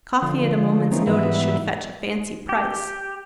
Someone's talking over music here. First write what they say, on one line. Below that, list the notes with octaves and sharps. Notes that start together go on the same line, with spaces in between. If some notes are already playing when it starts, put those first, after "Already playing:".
Coffee at a moment's notice should fetch a fancy price.
D3 F3
E3 F3 A#3 C4 C#4 D#4
G#2 E3 G3 B3 B4 E5
G4